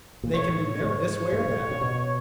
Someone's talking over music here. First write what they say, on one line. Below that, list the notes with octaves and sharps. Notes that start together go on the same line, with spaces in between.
They can be bent this way or that.
A#2
A2 C#5
G#2 C#5
G2
A2
A#2
B2